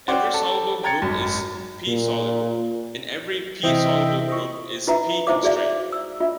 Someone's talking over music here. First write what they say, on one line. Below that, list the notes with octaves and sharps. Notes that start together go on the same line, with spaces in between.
Every soluble group is "p"-soluble, and every "p"-soluble group is "p"-constrained.
C#4 F#4 C5 D5 G5
A4
G5 A#5 G#6 A6 C#7
G#1 F#2
A#2
C3 E3 C4 E4 D#5 E5 G5
C5 D#5 C#6
E4 F4 B4 E5 F#5 A#5
D#4 E4 C5 E5 F5 D6
F#4 G#4 D5 E5 F5
E6
F4 E5